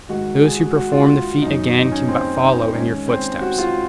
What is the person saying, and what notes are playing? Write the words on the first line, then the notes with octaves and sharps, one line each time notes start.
Those who perform the feat again can but follow in your footsteps.
G#2 D#3 F#4
G#4
F#4
F#4
F4
F#2 D#3 D#4
D#4
C#4
C4
D#4
G#2 D#3 C#4
C4
F#4
F4